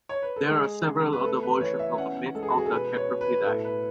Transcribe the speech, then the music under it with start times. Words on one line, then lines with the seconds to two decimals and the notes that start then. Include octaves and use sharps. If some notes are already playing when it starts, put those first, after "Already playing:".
There are several other versions of the myth of the Kekropidai.
0.09 C#5
0.22 B4
0.36 A4
0.50 G#3 G#4
0.87 C#3
1.13 B4
1.24 A3 A4
1.43 B4
1.61 E3 C#5
1.79 E5
1.98 C#4 F#5
2.35 G#3 A4
2.43 G#4
2.50 F#4
2.58 G#4
2.66 A4
2.72 B2 B4
2.97 C#5
3.09 B2
3.21 B4
3.45 A2 A4
3.64 B4